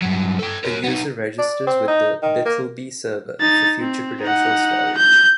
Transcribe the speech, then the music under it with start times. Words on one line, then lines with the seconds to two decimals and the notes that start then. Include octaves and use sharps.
A user registers with the BitlBee server for future credentials storage.
0.02 G2 F#3
0.39 A4 G5
0.64 A#4 C#5
0.84 B3 D#4
1.38 D5
1.67 C4
1.88 D#4
2.22 D#3
2.45 A#3
3.41 D#4 A6
3.80 C4
4.22 D#4 F#5
4.97 G6